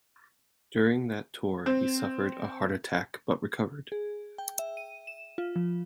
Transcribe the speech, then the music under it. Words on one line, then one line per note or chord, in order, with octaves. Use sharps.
During that tour he suffered a heart attack but recovered.
C4
G#4
G5
E5
D#7
E7
F4
F3